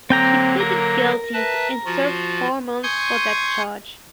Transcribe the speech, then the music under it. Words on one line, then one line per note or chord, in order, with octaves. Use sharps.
She pleaded guilty and served four months for that charge.
D3 F#3 A#3 C4 G5 A#5
A#4
B4 E5 A5
F3 F4 F#4
G#5 C6 C#6 D#6 G6